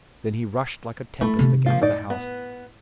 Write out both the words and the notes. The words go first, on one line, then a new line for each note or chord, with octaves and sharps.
Then he rushed like a tempest against the house.
A3 E4 B5
C3 D#3
F3 A#3 F4
A2 D#4 D5
B3